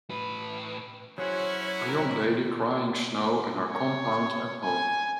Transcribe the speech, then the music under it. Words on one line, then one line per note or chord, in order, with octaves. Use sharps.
A young lady crying snow in her compound at home.
A2 B4
F#3 C#4 E4 F#4 G#4 C5 C#5 F#5
F#3 C4 A#4
C#5
G#5